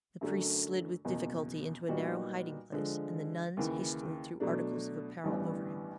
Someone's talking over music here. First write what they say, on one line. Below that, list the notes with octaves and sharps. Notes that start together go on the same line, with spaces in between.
The priest slid with difficulty into a narrow hiding-place, and the nuns hastily threw articles of apparel over him.
F#2 D3 F#3 A3 D4
F#1 E2 B2
A#2 G3 B3 D#4 F#4
D3 F3 G#3
D#2 C#3 E3
B2 F#3 A3 D4
A1 G2 E3 G3 B3